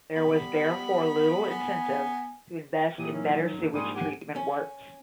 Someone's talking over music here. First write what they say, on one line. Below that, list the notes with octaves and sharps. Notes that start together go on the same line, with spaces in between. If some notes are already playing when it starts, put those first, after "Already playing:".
There was therefore little incentive to invest in better sewage treatment works.
G3 B3 B5
B3 G#5
F2 A#2 E3 F#3 G4 D#6
D#3 F#3 C#4
A#1 F#2
G#2 G3 G#5 C6 D#6
G4 F#5 G#5
C#4